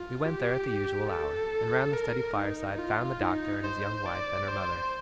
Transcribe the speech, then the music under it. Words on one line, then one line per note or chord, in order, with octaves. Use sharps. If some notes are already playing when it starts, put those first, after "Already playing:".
We went there at the usual hour; and round the study fireside found the Doctor, and his young wife, and her mother.
Already playing: F4
G4
A4
A#4
D#4
F4
D#4
C5
D5
C5